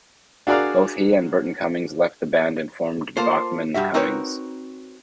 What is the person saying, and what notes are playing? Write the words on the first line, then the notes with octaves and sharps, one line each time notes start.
Both he and Burton Cummings left the band and formed Bachman Cummings.
D4 F#4 G#4 A#4 D5 F5
A#3 F4 A4 C5
G2 G3 F#4 E5
C4 D#4 F#4 A#4 B4 C#5